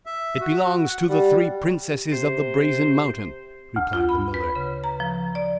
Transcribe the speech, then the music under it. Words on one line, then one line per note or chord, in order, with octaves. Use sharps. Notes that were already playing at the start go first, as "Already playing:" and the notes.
"It belongs to the three princesses of the Brazen Mountain," replied the miller.
E5
F#4
F#5
G3
C3 C5
D2
F4
B5
B4
C#3
A#5
F3
D5